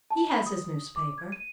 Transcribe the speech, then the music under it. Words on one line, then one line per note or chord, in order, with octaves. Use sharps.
He has his newspaper.
A5
B5
D#6
D6
G#6
D#7